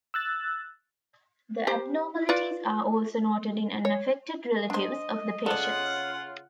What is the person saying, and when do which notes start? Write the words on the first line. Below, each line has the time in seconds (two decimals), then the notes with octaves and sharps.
The abnormalities are also noted in unaffected relatives of the patients.
0.14 E6 F#6 A6
1.67 G4 C5
2.29 F4 B4 D5
3.85 C#5
4.70 D4 C5 D#5
5.46 C#3 F4 A4 D5 F#5